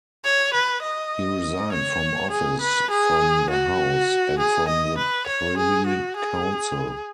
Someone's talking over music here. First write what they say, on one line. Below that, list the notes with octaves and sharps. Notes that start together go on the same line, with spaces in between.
He resigned from office, from the House, and from the Privy Council.
C#5
B4
D#5
C#5
G#4
B4
G#4
F#4
G#4
D#5
B4
C#5
G#4
F#4
G#4